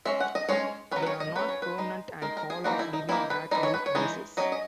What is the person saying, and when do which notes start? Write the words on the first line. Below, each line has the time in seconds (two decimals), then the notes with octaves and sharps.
They are not permanent and fall off leaving back leaf-bases.
0.05 G#3 C#4 E5
0.20 F#5
0.35 D#5
0.49 G#3 C#4 C#5
0.91 C#4 B4
0.96 F#3
1.02 B4
1.06 C#5
1.20 D#5
1.35 F#3 C#4 B4
1.49 C#5
1.62 B4
1.78 G#3 D#4
2.22 G#3 D#4 A#4
2.37 A#4
2.50 G#4
2.64 E3 A#3 D#4 F#4
2.79 E4
2.93 D#4
3.09 E3 A#3 D#4 E4
3.30 B4
3.51 E3 G#3 D#4 D#5
3.63 C#5
3.74 B4
3.86 C#5
3.95 E3 G#3 D#4
4.37 F#3 C#4 D#5
4.52 D#5